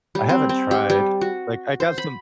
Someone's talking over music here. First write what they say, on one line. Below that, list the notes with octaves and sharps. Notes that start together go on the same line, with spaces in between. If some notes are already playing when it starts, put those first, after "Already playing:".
I haven't tried. Like, I got some
G3
C4
C4
G4
G3
F#4
C5
B5